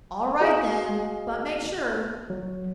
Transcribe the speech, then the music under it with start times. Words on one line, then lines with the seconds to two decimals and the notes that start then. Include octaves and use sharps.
"All right, then, but make sure."
0.41 F#4 G#4 D#5 F5
2.30 F#3